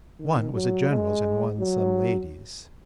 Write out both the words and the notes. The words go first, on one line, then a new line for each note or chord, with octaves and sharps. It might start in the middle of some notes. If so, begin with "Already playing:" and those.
One was a general's and one some lady's.
D#3
F#3
G#3
F#3